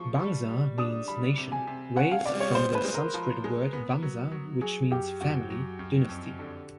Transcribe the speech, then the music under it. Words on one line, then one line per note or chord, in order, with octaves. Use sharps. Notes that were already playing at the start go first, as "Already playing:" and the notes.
"Bangsa" means "nation", "race", from the Sanskrit word "vamsa" which means "family", "dynasty".
Already playing: F3 C#6
G3
G3
D4 D#6
G3 B5
C3
G#5
C3
C#4 F#5
F5
C3 D5
C#5
B3 C5
B4
G#3
A#4
F3
G#3
B3
F#3
F#3
F#3 G#4
F#2 G4
F#2 F#4
F#3
F#2
F2
D3